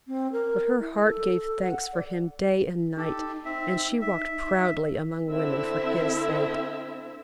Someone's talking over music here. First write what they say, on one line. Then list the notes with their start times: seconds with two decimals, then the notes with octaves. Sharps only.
But her heart gave thanks for him day and night; and she walked proudly among women for his sake.
0.08 C4
0.32 A#4
0.80 E4
1.05 A4
1.63 F#5
1.93 D5
2.97 D#4 G4 A4
3.45 C4 E5
4.01 E5
5.28 D3 C4 E4 E5